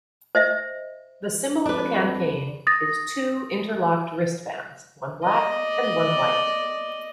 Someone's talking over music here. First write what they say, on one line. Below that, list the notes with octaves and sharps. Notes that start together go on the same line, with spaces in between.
The symbol of the campaign is two interlocked wristbands, one black, and one white.
C5 D#5 E5
F2 D4 B4
D#6 A6 A#6
D5 D#5